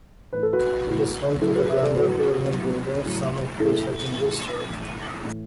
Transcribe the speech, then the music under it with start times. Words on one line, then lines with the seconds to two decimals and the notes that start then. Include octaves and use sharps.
It is home to the grander colonial buildings, some of which have been restored.
0.33 A2 E3 B4
0.43 A4
0.53 F#4 B4
0.87 A2 E3
1.41 A2 F#3 E4 A4
1.55 F#4 B4
1.69 B4 E5
1.83 A4 D5
1.96 A2 F#3 F#4 B4
2.51 A2 F#3
3.05 A2 F#3
3.59 A2 E3 E4 A4
4.14 A2 E3
4.69 A2 E3
5.24 A2 E3